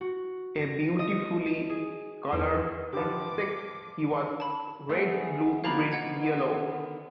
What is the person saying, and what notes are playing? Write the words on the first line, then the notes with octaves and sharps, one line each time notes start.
A beautifully coloured insect he was-red, blue, green, yellow.
F#4
A#6
D#5
G#4
E2
D3 F3 G4 B4 D6
A5 B5
A3 B3 G#4
B2 F3 A#3 F5 A#5 B5
D#5 F#5 G#6
D3 D#3 B3